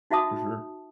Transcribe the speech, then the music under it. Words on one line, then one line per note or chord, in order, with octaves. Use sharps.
For sure.
D#4 F#4 E5 A5 D#6